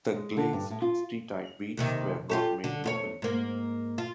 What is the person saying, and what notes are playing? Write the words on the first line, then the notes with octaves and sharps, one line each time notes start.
The glazed steatite beads were not made locally.
G#3
D3
G2
A2
F4
D#2 C3 D#3
F4 G4 A4
D3
E2 F4 C#5
G#2 A#3
F4